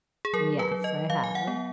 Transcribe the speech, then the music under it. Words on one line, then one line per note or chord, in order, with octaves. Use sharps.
Yes, I have.
G#4
F#3 A#4
B4
F#3
D#5
F#3 F5
G#5
F#5
B3